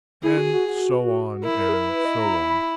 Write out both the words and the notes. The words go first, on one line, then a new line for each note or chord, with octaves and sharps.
And so on, and so on.
E4 G#4
F#4
F#4
F#4
E4 A#4
A#4
G#4
A#4
B4
D#5
A#5
B5
B5